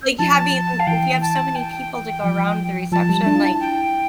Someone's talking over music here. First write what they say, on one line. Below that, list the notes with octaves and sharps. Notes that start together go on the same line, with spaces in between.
like you having if you have so many people to go around the reception, like,
F3 A5
F5
E3 G5
A5
G5
F3
F3 A5
G3
D4
F4
E4
G5